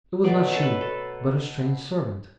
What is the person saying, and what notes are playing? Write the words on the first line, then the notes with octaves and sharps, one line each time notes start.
It was not she, but a strange servant.
B2 F#3 A3 D5
A4
B4
A4